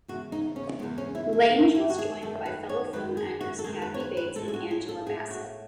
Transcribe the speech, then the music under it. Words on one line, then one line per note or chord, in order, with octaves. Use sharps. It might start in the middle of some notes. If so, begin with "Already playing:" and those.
Lange was joined by fellow film actors Kathy Bates and Angela Bassett.
E2 C#3 G#3 F#4
D#4
C#4
E2 C#3 G#3 B3
C#4
E4
E4
F#2 D#3 A3 D#4
E4
F#4
G#4
F#2 D#3 A3 A4
B4
C#5
F#2 D#3 G#3 B4
G#4
F#4
A4
F#2 D#3 G#3 G#4
B4
C#5
B4
B4
A2 G#3 A4
G#4
F#4
G#4
A4
A2 G#3 G#4
F#4